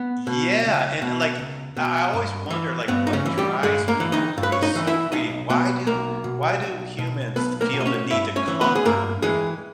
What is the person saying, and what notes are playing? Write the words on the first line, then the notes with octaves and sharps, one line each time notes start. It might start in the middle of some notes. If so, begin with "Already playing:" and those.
Yeah, and, like, I I always wonder, like, what drives people to be so greedy? Why do why do humans feel the need to conquer,
Already playing: B3
B2
C#2
B2
C#2
B2
G2
E3
G2 B3
D#4
C#3 C#4
E3
G3 G4
G2 G#3 G#4
A#3 A#4
E3
D#4 D#5
G2
B4
C#5
D#4 D#5
E3
E4 E5
B1 D#4 D#5
B2 B3 B4
B1 A#3 A#4
B2
B1
B2
B1 B3 B4
A#3 A#4
B2
D#5
C#4 C#5
G2 E4 E5
C#4 C#5
E3
B3 B4
G#4
G2 A#3 A#4
E3 G#3 G#4